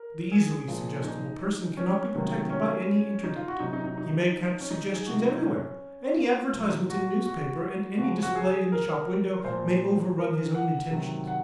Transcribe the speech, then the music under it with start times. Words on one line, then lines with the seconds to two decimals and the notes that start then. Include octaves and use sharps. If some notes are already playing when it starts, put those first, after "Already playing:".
The easily suggestible person cannot be protected by any interdict; he may catch suggestions everywhere, any advertisement in the newspaper and any display in the shop-window may overrun his own intentions.
Already playing: A#4
0.32 G#4
0.68 A#2 F3
1.04 D#4
1.77 C#4
2.15 C3 D#3 F#3
2.50 C#4
3.24 D#4
3.35 F4
3.48 F#4
3.60 C3 F#3 D#4
3.73 D#4
3.84 D#4
3.97 D#4
4.60 C#4
4.70 D#4
4.94 G#4
5.06 C3 F#3 F#4
5.19 F4
5.31 D#4
5.43 C#4
6.16 F4
6.53 A#2 F#3
6.90 F#4
7.26 F#4
7.98 C#3 F3 F#4
8.23 F#4
8.36 G#4
8.72 A#4
9.44 A#2 F3 C5
10.18 A#4
10.55 F#5
10.91 C3 D#3 F#3
11.28 F#5